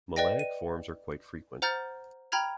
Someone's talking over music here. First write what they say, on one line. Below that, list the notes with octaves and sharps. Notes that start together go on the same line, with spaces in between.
Melanic forms are quite frequent.
B4 D5 D#5 G5 A#6
D#7
C5 F#5 A#5 F6 G6 A6
G5 A#5 B5 F6 G#6 F7